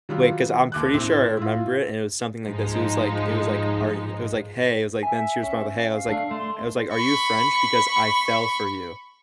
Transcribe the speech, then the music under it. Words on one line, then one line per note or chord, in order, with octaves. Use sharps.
Wait, 'cause I'm pretty sure I remember it, and it was something like this. It was like it was like, "Are h" it was like, "Hey." It was like then she was probably, "Hey." I was like I was like, "Are you French? Because I fell for you"
D#3 F#3 G3 F4
D#2 D6 F#6
A2 C4 E4
E4 F4
G#2 F3 G#3 D#4
E5 G#5
C#4
F5
A3 D4
A3 C6
B5 C#6